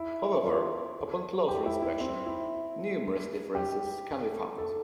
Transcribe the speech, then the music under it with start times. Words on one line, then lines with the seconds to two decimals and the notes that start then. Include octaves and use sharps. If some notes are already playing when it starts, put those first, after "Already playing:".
However, upon closer inspection, numerous differences can be found.
Already playing: E4
0.45 F4
1.48 G4
1.66 E4
1.82 E4
2.00 C4
2.26 E4
3.55 G4
4.58 A4